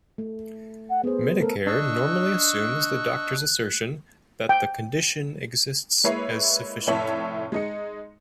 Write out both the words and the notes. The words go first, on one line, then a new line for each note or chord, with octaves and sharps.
Medicare normally assumes the doctor's assertion that the condition exists as sufficient.
A3
F#5
B3 G#4 C5
A3 A4 A#4
D4 D#5 C#6 E6 F#6
G5
G#3 A#3 E4 B4 C#5 C7
F1 A2 C#5 E5 A5
G#3 D#4 C#7